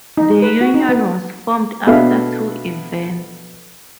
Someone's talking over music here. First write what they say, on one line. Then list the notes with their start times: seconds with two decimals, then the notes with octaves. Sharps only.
The union was formed after two events.
0.17 D#4
0.42 B4
0.61 F#4
0.74 D#4
0.89 B3
1.87 B2 B3 D4 A4 E5 F5